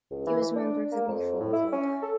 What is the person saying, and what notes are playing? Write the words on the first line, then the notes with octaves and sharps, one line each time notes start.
He was a member of the Reform Club.
C#2
E3
E3
D4
A#3
F2
A2
E4
C#4
A4